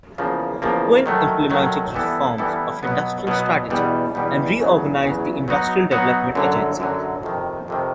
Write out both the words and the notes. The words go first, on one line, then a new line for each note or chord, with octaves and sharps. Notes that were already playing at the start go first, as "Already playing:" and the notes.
Quinn implemented reform of industrial strategy and reorganised the industrial development agencies.
E2 C#3 F3 A#3
E2 C#3 F3 A#3
D#3 F#3 A3
D#3 F#3 A3
E3 G3 B3 E4 A4
E3 G3 B3 E4 A4
B2 F#3 B3
B2 F#3 B3
E2 B2 G3
E2 B2 G3
E2 C#3 F#3
E2 C#3 F#3
F#3 B3 D#4 F#4
F#3 B3 D#4 F#4
F#2 D3 F#3
F#2 D3 F#3
F2 C3 D#3
F2 C3 D#3